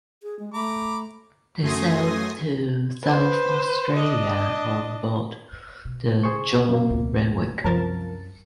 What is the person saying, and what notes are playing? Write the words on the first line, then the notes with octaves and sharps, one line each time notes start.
They sailed to South Australia on board the John Renwick.
G#4
G#3
A3 A#5 B5 D6
F#2 A3 G#5 C6 D#6 A#6
B4 C5
D4 D#5
B2
C#3 G#4 C5 C#6
F#2 C3 A#3
A1 D2
C2 F#2 F3 A#4 A5 A6